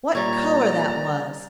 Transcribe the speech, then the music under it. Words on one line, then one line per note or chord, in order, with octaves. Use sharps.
What colour that was!
A#2 G3 C#5 D5 A#5